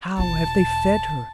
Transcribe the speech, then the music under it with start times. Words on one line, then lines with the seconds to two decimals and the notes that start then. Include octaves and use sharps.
How have they fed her?
0.18 E1 F4 A5